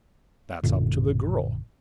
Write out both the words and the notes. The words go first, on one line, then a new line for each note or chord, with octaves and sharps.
That's up to the girl.
A1 F#2 A#2 D3